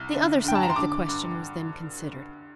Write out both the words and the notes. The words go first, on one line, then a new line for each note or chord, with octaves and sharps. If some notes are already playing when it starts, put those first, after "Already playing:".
The other side of the question was then considered.
Already playing: C2
D3
D3 G5
A5
A#5
C6
D3 D6
G2